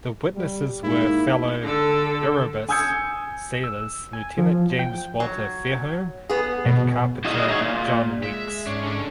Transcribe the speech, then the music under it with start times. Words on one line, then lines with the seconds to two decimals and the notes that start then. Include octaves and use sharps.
The witnesses were fellow "Erebus" sailors Lieutenant James Walter Fairholme and Carpenter John Weekes.
0.35 G3
0.84 G#2 A#3 E4
1.62 D3 A4
2.69 G#5 D#6 E6 G6 G#6 C#7
3.64 E6
4.13 G#5
4.38 F3
4.79 G5
5.20 F#3
6.29 B3 G#4
6.66 B2
7.25 E4 F#4 G#4 D#5 E5
7.48 D#4 G#4 C#5
7.61 A#2
8.23 G#3 E5
8.67 G#2 C#4 D4
8.84 D3 D4